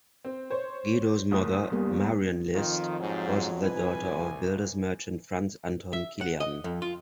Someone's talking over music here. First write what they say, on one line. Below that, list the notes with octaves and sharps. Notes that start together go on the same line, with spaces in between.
Guido's mother, Marian List, was the daughter of builder's merchant Franz Anton Killian.
C4
C5 C#5
F#1 D2 D#6
G3 A#3 B3
F2 D#3 F4
G#2 F#3 G#4 C5 F5
C2 B4 G#5
E5
F#5
D#5
F2
F4